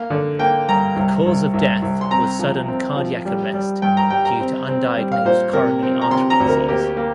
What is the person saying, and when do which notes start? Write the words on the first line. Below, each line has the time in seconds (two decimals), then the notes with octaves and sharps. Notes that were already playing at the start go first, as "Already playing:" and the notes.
The cause of death was sudden cardiac arrest due to undiagnosed coronary artery disease.
Already playing: A#3 F5
0.10 D3
0.39 A#3 G5
0.69 G2 A#5
0.96 C2
1.26 C2
1.54 C2
1.82 C2
2.01 C6
2.10 C4 A#5
2.39 F3
2.68 C4
2.97 F3
3.25 G3
3.54 G3
3.82 G2 G5
3.97 A#5
4.10 G3 G5
4.25 A#5
4.40 C4
4.69 C4
4.97 G3
5.12 F5
5.25 A#2 C5
5.53 C3 A#4
5.83 C4
6.01 A#5
6.11 C3 C6
6.30 A#5
6.40 D2
6.49 A#4
6.69 A#3 G4
6.97 A#3